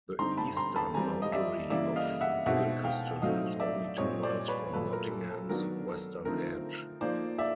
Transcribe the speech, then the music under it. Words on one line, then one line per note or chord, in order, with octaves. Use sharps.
The eastern boundary of Ilkeston is only two miles from Nottingham's western edge.
D3 G3 C4 D#4 A#5 C6
A5 B5
A#5 C6
A5 B5
E3 G3 C4 G#5 A#5
D#5
D5 E5
C#3 E3 G3 A#3 D5 E5
D#5 F5
E5 F#5
B2 G#3 C4 D#4 E5 F#5
F5 G5
A2 F#3 A3 C4 D#4 D#5 F5
D5 E5
A#2 G3 C4 C#5 D#5
C5 D5
B4 C#5
A#2 F#3 A3 A4 B4
A#4
A4
A4
D#3 F#3 B3 D4 A#4
A4
D3 F3 A3 C4 D#4 A#4
F3 A#3 D#4 C5 D5
D5 E5